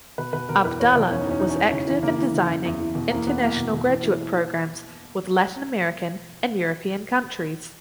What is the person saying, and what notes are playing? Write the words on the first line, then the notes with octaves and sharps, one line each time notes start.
Abdallah was active in designing international graduate programs with Latin American and European countries.
B2 B4
B2 B4
B2 A#4
E2 B4
E2 C#5
B2 A#4
E2 C#4
D#4
E2 C#4
E3 D#4
C#4
E3 D#4
C#3 C#4
E3
C#3 A#3
E3
C#3
C#3
E2
E3
B2
E2 A#3
E2 B3
E2 A#3
B2
B2
E3
E3